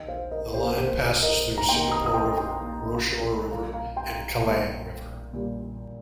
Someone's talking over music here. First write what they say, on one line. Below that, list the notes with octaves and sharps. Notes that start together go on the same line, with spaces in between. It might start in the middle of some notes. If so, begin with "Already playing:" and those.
The line passes through Singapore river, Rochor river and Kallang River.
Already playing: D#2 D#3 A#3 D#5 G5
C5 F5
A#4 D#5
G4 C5
A#4
D#2 D#3 A#3 G4 C5
A#4 D#5
A#5
D#2 D#3 A#3 G5 C6
A#5 D#6
D#6
G5 C6
A#5
G5 C6
D#2 D#3 A#3
A#2 G3 A#3 F5 A#5
F5 A#5
G5 C6
A#2 G3 A#3
A#2 G3 A#3